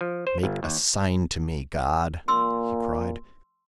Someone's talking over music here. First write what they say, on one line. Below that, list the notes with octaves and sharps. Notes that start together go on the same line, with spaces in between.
"Make a sign to me, God," he cried.
F3
C5
G1
D#2
A#2 C6 E6